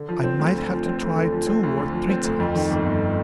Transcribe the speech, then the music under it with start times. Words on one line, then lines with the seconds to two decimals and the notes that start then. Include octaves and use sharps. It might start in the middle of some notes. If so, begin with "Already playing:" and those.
I might have to try two or three times.
Already playing: D3
0.09 F3
0.24 C4
0.39 D2
0.56 D3
0.70 F3
0.86 C4
1.01 D2
1.16 D3
1.32 F3
1.47 C4
1.63 D2
1.78 D3
1.93 F3
2.09 C4
2.24 D2
2.40 F2
2.55 D#3
2.71 G1
2.86 G1